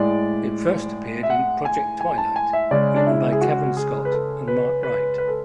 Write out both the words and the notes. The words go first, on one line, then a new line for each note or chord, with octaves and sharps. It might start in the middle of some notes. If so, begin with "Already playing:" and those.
It first appeared in "Project: Twilight", written by Cavan Scott and Mark Wright.
Already playing: A2 G#3 D5
E5
F#5
G#5
G#5
A5
G#5
E5
C#3 G#3 D5
D4
E4
G#4
F#4
G#4
B4
A4
B4
B4
B4
A4